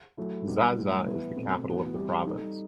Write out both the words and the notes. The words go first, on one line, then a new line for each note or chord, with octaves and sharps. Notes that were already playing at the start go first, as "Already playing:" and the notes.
Xai-Xai is the capital of the province.
F#3 A3 E4
B2 G3 B3 D#4
A2 E3 G3
E3 B3 E4 B4
B2 A3 C4
A2 E3 B3 F#4
E3 G3 C4 E4 G4
G3 D#4 A4